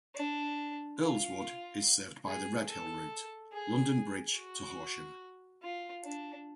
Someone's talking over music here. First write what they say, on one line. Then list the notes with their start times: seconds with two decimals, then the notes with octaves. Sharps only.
Earlswood is served by the Redhill route: London Bridge to Horsham.
0.15 D4
0.99 F4
2.26 G#4
2.68 A4
3.52 G#4
4.37 F#4
5.62 F4
6.05 D4